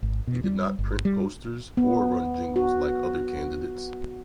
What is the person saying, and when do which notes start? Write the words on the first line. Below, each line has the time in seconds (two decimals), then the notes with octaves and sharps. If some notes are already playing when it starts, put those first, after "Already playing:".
He did not print posters or run jingles like other candidates.
0.03 G#1
0.27 B2
0.44 G3
0.79 G1
1.05 G3
1.77 B3
2.56 F#4